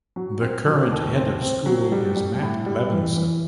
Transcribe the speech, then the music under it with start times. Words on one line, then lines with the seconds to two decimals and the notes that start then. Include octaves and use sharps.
The current head of school is Matt Levinson.
0.16 F#3
0.41 C4
0.66 F#3
0.91 D#2
1.16 C4
1.42 C4
1.66 F#3
1.92 G3
2.17 G3
2.41 A2
2.66 G3
2.92 E3
3.16 E3